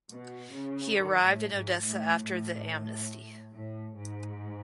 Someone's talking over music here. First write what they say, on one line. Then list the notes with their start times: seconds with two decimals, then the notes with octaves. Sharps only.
He arrived in Odessa after the amnesty.
0.11 B2
0.53 C#3
0.96 D#3
1.24 A2
1.54 G#2
1.82 A2
2.25 A2
3.52 A2
3.96 G#2